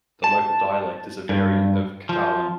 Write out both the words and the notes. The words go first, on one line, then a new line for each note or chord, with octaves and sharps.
The local dialect is a variant of Catalan.
A5
G2
F3